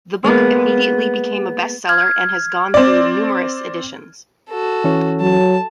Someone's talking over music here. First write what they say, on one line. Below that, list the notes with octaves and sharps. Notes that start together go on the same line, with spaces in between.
The book immediately became a best seller and has gone through numerous editions.
G#3 A#3 B3
F6 G#6
C4 D5
F#4 A4
E3 C#4 C#5
F#3 A5